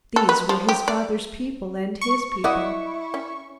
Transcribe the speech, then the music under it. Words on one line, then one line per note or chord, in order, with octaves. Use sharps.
These were his Father's people and his people.
A4
B4
F3
G4
D5
C#6
E4 D5 D#5 F#5
C#4